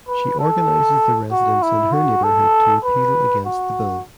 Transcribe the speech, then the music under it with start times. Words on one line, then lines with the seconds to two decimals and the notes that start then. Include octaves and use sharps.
She organizes the residents in her neighbourhood to appeal against the bill.
0.08 B4
0.40 A4
1.32 F#4
1.63 E4
1.93 F#4
2.24 A4
2.85 B4
3.46 F#4